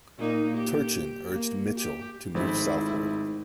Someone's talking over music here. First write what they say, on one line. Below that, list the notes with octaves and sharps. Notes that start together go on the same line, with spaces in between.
Turchin urged Mitchel to move southward.
A#2 A#3 D#4
G4
A#3
G4
G#1 G#2 F3 A3 E4 C5